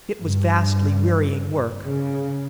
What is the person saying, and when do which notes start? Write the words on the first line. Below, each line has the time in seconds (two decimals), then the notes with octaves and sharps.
It was vastly wearying work.
0.21 G2
1.84 C#3